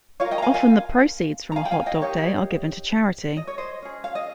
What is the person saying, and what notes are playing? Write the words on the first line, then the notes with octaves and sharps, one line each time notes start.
Often the proceeds from a hot dog day are given to charity.
F4 C#5 F5
A#4
D#5 G5
A#5
F5 G#5
F5 G#5
A#5
F5 G#5
G5
F5 G#5
D#5 G5
D#4 G4 A#4 C#5 F5
D#5
C#5
C5 D#5
C#4 G#4
F5
D#5